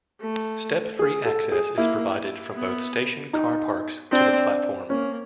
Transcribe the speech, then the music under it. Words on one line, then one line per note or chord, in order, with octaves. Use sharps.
Step-free access is provided from both station car parks to the platform.
A3
G#4
A4
G#4
A#3 E4
B3
D#4
C4 D4
A#3 C#4